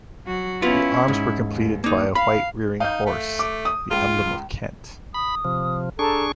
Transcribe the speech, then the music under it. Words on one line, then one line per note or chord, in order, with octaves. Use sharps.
The arms were completed by a white rearing horse, the emblem of Kent.
F#3 F#4
B3 C#4 E4 F4
G#2
D#2
A#3 D#4
F5 B5
D#4 F5 G6
A3
D6
D#6
C#2 F4
B5 D#6
C3 F3
D4 G#4 A4 A5 A#5 C#6